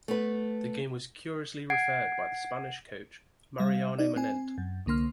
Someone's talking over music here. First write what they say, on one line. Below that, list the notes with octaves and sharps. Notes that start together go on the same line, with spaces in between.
The game was curiously referred by the Spanish coach Mariano Manent.
A3 B3 B4
F#5 G#6 C7 D7
G3 F5
D#4 D5
C4 G#5
F#2
C2 D3 A#3 C6 F6